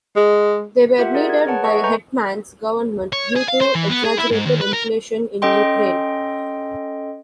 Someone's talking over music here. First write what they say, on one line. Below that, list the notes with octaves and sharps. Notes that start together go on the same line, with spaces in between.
They were needed by Hetman's Government due to exaggerated inflation in Ukraine.
G#3
F4 G4 A#4 E5 F#5
G#4 A#4 D5 A#5
G#6
G#4 B4 C#5 F#5 A5
D#5 E5 C#6
A4 B4 G#5 A#5 C#6 G6
C#5
G#4
F5
C5
E3
B3
G#4
E4
G#2
D#2
B4
A#4
C#4 A4 D#5 G5 C6